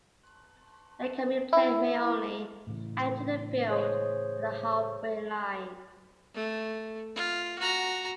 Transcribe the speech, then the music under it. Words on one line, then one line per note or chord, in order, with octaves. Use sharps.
The incoming player may only enter the field at the half-way line.
E4
A2 C#3 E3
G#4 C5 C#5
A3
F4
F#4 A#5